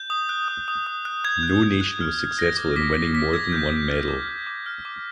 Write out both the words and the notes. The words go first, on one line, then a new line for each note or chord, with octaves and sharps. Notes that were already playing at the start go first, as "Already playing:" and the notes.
No nation was successful in winning more than one medal.
Already playing: G6
D#6
F#6
D#6
D#6
D#6
F#6
D#6 G#6
F#6
D#6
F#6
F6
F6
F6 A#6
D6
D6 B6
D6 A#6
D6 B6
D6 G#6
F6 G6
D6
F6
D6
F6
D6
F6
D6